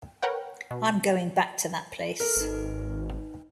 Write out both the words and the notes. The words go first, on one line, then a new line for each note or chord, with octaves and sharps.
I'm going back to that place.
A#4 B4 C#5 F#5 G5
B2
A4 A#4 F6
G#1 D#4 B4